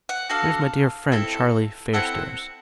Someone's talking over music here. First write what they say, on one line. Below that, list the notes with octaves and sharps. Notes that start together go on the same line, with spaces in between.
There's my dear friend Charlie Fairstairs.
F#5
D4 F#4 A4 F5
C4 E4 A4
C4 E4 A4 F#5